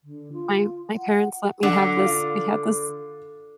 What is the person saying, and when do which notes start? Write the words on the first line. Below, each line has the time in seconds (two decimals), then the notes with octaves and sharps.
my my parents let me have this we had this
0.04 D3
0.32 F4
0.97 F#5
1.63 D3 D4 F#4 F#5
1.97 F4 F5